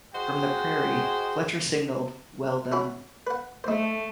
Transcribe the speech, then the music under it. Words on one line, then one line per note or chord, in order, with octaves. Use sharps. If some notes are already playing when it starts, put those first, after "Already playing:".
From the "Prairie", Fletcher signaled "Well done".
F#4 G#4 C5 D#5 G5
C#4 E4 F#4
B4 F#5
A3 D#4 C5